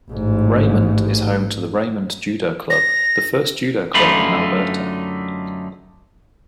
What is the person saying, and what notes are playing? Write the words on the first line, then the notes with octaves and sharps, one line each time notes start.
Raymond is home to the Raymond Judo Club, the first Judo club in Alberta.
A1 G#2
A#6
F#2 D3 A3 D#4 F4 B5